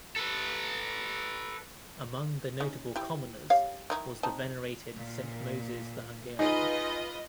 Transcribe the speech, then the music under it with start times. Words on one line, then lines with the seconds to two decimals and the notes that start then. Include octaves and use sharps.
Among the notable commoners was the venerated Saint Moses the Hungarian.
0.16 A4 B4
2.60 C#4 D#4
2.96 E4 G4
3.50 G4 C#5 F5
3.90 D#3 D#4 E4
4.23 C4 D#4 A5
4.94 A#2
6.39 D#4 F4 G#4 B4 D#5